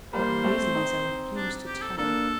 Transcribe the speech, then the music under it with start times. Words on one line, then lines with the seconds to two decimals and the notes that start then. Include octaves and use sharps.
What my reason is, I refuse to tell.
0.13 G3 A#3 C5
0.44 A3 C4
0.74 C4 D#4
1.36 D4
1.67 G4
1.82 A4
1.97 A#3 D4 A4